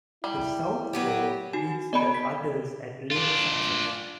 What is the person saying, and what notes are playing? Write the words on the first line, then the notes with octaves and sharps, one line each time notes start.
The South Fork meets the others at Lake Success.
G3 E4
F#3 B3 G4
D#4 F#4 G#5
B3 D5 D#5 B5 D7
B6
D4 F4